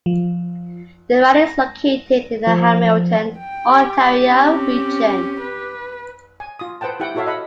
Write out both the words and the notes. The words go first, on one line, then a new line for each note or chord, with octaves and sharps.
The riding is located in the Hamilton, Ontario region.
F3
A#6
F3
G5
G4
C4 C#4
B4
G#5
F4 D#6
B4 C5 F#5 G5 A5
E4 G4 F#5 G5
E4 F#4 A4 C#5 E5 F5
D#5 F#5 B5